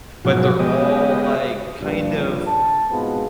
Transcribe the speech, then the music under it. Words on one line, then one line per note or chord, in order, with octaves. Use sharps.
but they're all, like, kind of
G#2 B2 F3 F#3 F#4
G#3 B3 G4 D#5
A#1 G2
A5
G#2 B2 G#3 B3 C4 F4